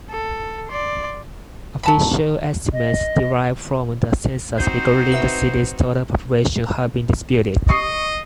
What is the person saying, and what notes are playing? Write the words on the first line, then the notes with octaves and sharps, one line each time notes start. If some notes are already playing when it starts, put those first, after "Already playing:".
Official estimates derived from the census regarding the city's total population have been disputed.
A4
D5 C6
F#3 A5 B5
D#5
C4 D#4 F#4 C5 G6
B4 E5
D#5 C#6 D#6 C7